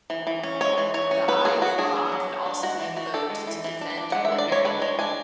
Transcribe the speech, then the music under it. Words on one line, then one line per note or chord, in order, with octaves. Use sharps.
The Eye of Ra could also be invoked to defend ordinary people.
E3
E3
C#4
G#3 C#5
E3
E3 C#5
C#4
B3 B4
F#3 G#4
F#3 F#4
D4 G#4
B3
F#3
F#3
D4
G#3 F#4
E3
E3 F#4
D4 A4
G#3
E3
E3
D4
D4
G#3 F#5
E5
D4
D5
G#3 C#5
D4 B4
G#3 C#5
D4 G#5